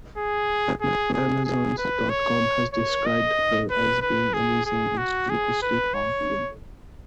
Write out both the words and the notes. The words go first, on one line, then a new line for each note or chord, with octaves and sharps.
AmazOns dot com has described her as being amazingly, freakishly powerful.
G#4
G#4
G#4
G#4
B4
C#5
C#5
D#5
B4
B4
G#4
G#4
F#4
G#4
B4
C#5